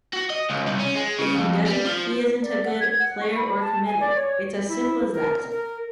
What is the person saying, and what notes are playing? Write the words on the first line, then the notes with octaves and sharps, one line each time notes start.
If he doesn't, he isn't a good player or commander...It's as simple as that.
F#4
D#5
C#2
C2
C#4
G#3
C#3
F2
G3
F3
D5
F#5
G#6
F#5
C#6
B5
A5
G#5
D5
C#5
E4
A#4
A#4